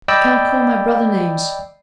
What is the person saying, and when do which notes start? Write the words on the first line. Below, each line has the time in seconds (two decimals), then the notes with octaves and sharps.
"You can't call my brother names."
0.08 D5 D#5 G5 B5 E6